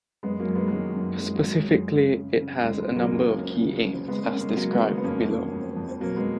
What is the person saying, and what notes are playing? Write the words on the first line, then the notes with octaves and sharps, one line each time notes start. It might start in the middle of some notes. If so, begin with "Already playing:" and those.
Specifically it has a number of key aims, as described below.
F#2 G#3 B3
F#3 A#3
F#2
G#3 B3
G#3
D#3 F#3 A#3
F#2
F#2 G#3
F#3
F#2
G#3
F#2
F#2
C#3
C#3
C#2 G#3
G#3
C#3
F#3 A#3
C#2
C#3
C#3
C#3
C#3 G#3 B3
A#3 C#4
C#3
G#3
C#3 F#3 A#3
G#3 B3
C#3
B3
F2 A#3 C#4
F2
F2
F2
B2 F#3 A#3
G#3 B3